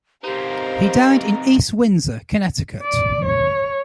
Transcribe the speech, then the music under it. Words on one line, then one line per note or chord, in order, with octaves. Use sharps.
He died in East Windsor, Connecticut.
C3 D#4 G4 A#4 C5 F5
D5
C#5